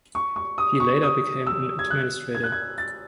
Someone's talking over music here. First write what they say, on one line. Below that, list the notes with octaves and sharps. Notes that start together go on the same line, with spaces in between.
He later became an administrator.
C#6
C#6
D#6
C#6
D#6
E6
G#6
F#6
G#6
F#6
G#6
A6